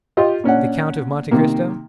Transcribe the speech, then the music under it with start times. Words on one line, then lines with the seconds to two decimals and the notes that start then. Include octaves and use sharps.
"The Count of Monte Cristo?"
0.17 F4 G4 D#5
0.44 A#2 C#4 D4 F#5
1.31 C3 D#3 A#3